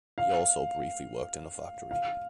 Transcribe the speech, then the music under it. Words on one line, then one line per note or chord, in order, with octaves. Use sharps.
He also briefly worked in a factory.
F5
F5